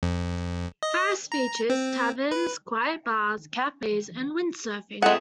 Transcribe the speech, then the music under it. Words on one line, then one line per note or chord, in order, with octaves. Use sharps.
Faris features: taverns, quite bars, cafes, and windsurfing.
F2
D#5
A#5
C4
B4
F2 G#3 A3 G#4 F#5